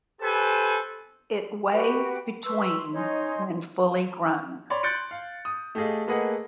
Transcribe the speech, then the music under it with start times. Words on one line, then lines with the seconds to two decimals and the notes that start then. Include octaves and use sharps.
It weighs between when fully grown.
0.21 G4 A4 B4 C5 G#5
1.73 F#4 G4 B4 G5
2.44 B4 C6 C#6 E6
2.93 C#4 D#4 C#5 C6
4.70 C#5 D5 B5 C6
4.83 C6 F#6 G6 A6 C#7 D7
5.11 F5
5.45 D#6
5.75 A3 G4 G#4 D#5 F5
6.07 A3 A#3 G#4 B4 D#5 F#5